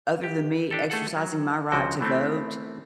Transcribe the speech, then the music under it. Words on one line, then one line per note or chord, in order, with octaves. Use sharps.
other than me exercising my right to vote
G4
D4 G4 A4
A3 G#4 A4 F#5
F#3
C#2 C#3 F3 F#4 G5
E3 A3 B3 C4